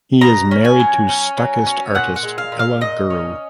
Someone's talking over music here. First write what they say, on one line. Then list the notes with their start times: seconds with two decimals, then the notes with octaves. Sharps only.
He is married to Stuckist artist Ella Guru.
0.21 B2 A#5
0.51 C#4
0.65 G#5
0.80 F#3
1.09 C#4
1.38 F#3
1.67 C#4
1.95 A#2 F#5
2.16 F#5
2.23 G#3
2.38 F5
2.52 A#2
2.59 F5
2.81 A#2 D#5
3.10 C#4